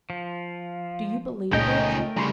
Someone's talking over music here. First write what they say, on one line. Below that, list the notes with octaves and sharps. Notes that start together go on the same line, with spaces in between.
Do you believe it?'
F3
C#2 A#2 A3 C#4 D#4 A#4 D#5 G5
C#3 G3 A#5 C6 C#6